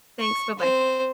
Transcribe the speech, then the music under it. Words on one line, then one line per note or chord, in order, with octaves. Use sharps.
Thanks, bye-bye.
C#6
C4 C5